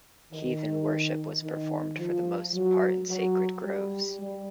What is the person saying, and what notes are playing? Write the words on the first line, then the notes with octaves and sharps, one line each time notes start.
Heathen worship was performed for the most part in sacred groves.
D#3
D#3
F3
F#3
F#3
G3
G3